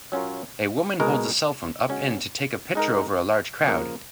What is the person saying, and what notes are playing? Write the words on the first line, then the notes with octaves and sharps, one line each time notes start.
A woman holds a cellphone up in to take a picture over a large crowd.
F#3 C#4 F4 A#4
B2 G#3 D#4 A#4
C#3 G#3 C#4 F#4
G#3 D#4 A#4
C#3 F3 A#3